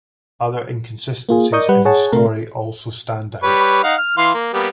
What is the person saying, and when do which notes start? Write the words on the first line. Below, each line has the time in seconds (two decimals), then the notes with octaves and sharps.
Other inconsistencies in his story also stand out.
1.29 A#3 F4 G#4
1.52 A#4 D5 D#5 C#6 D#6 G6
1.69 G3 B4 F#5
1.85 G#4 C#5 F#5 A5
2.12 C3 A3 A#4
3.43 G3 B4 C#5
3.84 D#4 F5 F#5
3.98 F6
4.18 E3 F5 C6
4.34 A#3
4.53 G3 A#3 B3